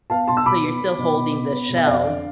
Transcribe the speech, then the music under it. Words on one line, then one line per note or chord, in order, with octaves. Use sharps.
So, you're still holding the shell,
B3 F5 A5
B2 A5 C6
E6
B2 B5 D6
B3
B3
B2
B2
B3
B3
B2
E5
F2 D5 F5
D3